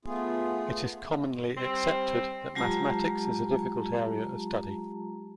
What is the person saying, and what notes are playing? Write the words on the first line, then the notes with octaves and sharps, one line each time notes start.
It is commonly accepted that mathematics is a difficult area of study.
A3 B3 F4 G#4
G3 C4
F#3 G#3 F4 G4 A5 A#5